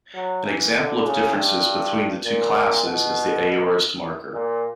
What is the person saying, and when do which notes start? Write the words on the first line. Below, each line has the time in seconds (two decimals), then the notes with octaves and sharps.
An example of differences between the two classes is the aorist-marker.
0.15 F#3
0.45 E3
0.75 D3
1.05 C#3
1.34 G2
2.25 A#2
2.85 B2
4.34 A#2